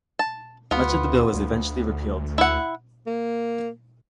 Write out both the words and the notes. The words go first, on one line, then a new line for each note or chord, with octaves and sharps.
Much of the bill eventually was repealed.
A5
D2 B3 F4
D2
E4 F#5
A#3